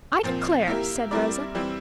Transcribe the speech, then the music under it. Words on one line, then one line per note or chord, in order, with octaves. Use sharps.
"I declare!" said Rosa.
A#2 F3 C4
A#3 E4 G4 A#4
G3 C4 E4 A#4 D5
E3 G3 C4 E4